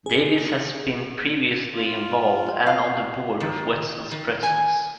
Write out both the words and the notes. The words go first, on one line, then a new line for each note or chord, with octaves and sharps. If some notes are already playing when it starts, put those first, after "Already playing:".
Davis has been previously involved and on the board of Wetzel's Pretzels.
G#4
F4
F5
D#3
D#3
G#5